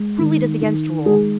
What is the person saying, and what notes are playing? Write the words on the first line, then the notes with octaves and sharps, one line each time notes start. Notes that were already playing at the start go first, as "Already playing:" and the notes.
Truly it is against rule.
Already playing: G#3
D#3
D#3
G#3 G#4